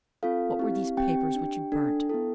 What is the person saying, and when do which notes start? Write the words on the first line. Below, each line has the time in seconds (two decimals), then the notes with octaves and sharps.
"What were these papers which you burnt?"
0.23 C4 F4 A4 F5
0.59 C4 E4 G4
0.97 C4 G4 G5
1.35 D4 G4
1.72 D4 A4
2.09 B3 E4 A4